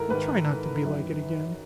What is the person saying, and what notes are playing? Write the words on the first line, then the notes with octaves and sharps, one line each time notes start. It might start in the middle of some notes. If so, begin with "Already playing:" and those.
I'll try not to be like it again.
Already playing: G#2 D#3 E4 A4 A#4
G#2 D#3 B4
F#2 D#3